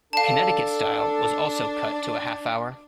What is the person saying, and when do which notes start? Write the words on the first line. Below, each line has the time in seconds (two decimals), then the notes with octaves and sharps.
"Connecticut Style" was also cut to a half hour.
0.13 D4 A4 F5 A5